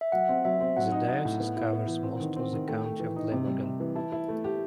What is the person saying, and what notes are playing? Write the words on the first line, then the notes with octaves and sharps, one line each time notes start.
The diocese covers most of the County of Glamorgan.
E5
F#3 F#5
C4
F#3 E5
C4
F#3 F#5
D#4
D#4
A2
B3
E4
B3
E3
C4
D#3
C4
D#3
A3 G5
A3
E3
D#4
C3
G3
C3
E3
E4 A5
E4
A3
G4